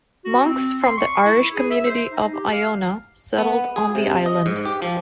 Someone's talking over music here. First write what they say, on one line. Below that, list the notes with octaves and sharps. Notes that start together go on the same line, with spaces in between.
Monks from the Irish community of Iona settled on the island.
F#4
C4
C6
C#6
E4
G#4
E5
C5
D#4
G4
F5
B3
G#4
C3
D#5
G#2
G4
F3